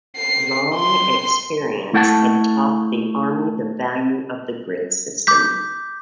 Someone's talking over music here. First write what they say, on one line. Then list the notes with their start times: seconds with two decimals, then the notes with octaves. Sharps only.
Long experience had taught the army the value of the grid system.
0.17 C7
0.75 C6
1.93 A3 E4 A4 F#5 G5 A5
5.27 D6 G6 B6